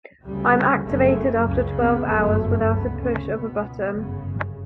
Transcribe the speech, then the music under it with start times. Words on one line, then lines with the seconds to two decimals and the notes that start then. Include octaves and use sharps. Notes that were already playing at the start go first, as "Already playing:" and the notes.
I am activated after twelve hours without a push of a button.
0.23 D2 C#3 G3
0.85 F#1 F#2 C#3 A3
1.46 C#2 C#3
1.77 B3
2.08 G1 F#2 C#3 A3
2.69 D2 C#3 B3
3.01 C#4
3.31 C#2 B2 B3
3.92 G1 F#2 C#3 B3